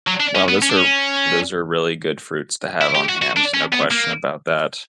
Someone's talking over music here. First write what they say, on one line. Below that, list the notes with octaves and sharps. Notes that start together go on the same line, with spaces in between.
Well, those are those are really good fruits to have on hands, no question about that.
F#3
D4
C#4
B3
C#4
D4
C#4
E4
G4
F#4
F#4
D4
C#4
B3
A#3